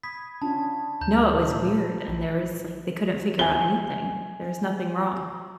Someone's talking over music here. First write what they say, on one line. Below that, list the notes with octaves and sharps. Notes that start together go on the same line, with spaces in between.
No, it was weird, and there was like, they couldn't figure out anything. There was nothing wrong.
B5 D#6 G#6 B6
C#4 D4 F4 A5
D2 A#5 G6
A#2
A#2 E4 E6
A#1
G#5 G7